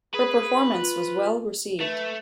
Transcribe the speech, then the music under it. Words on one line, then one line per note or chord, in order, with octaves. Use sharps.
Her performance was well received.
G#4 B4
F4
A3 B4